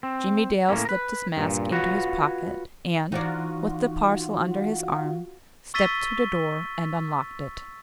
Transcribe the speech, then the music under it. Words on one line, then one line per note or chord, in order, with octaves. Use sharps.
Jimmie Dale slipped his mask into his pocket, and, with the parcel under his arm, stepped to the door and unlocked it.
C4
A2 A#3 C#4
A#4 B4
G2 A#2
F4 F#4 B4 C#5
E3 D#4 F4 F#4 C#5 D5
C#6 E6 A6 B6 D#7 G7